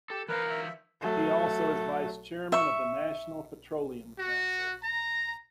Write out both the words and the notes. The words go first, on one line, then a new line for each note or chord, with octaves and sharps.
He also is vice chairman of the National Petroleum Council.
G4 A4
E3 A#4 B4 C#5 F5
E5
F#3 A3
E5 C#6
F#4
A#5